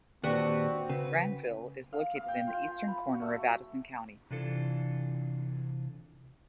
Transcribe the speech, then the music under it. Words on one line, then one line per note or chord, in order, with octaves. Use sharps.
Granville is located in the eastern corner of Addison County.
D#2 A#2 C4 D4 F#4 G4 B4
C#3 B4
F5
F5
G5
F4
G#5
B5
F#4
A3
C3 E3 D4 F4 A4